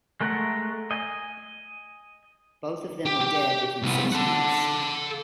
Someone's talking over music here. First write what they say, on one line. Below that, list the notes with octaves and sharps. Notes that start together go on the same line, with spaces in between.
Both of them were dead within six months.
G#3 A3 A#4 F#5
D#5 G#5
G4
G4
C2 B3
A4 F#5